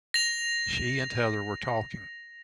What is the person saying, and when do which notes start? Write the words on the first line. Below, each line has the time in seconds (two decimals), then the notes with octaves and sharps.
She and Heather were talking.
0.14 A#6 F7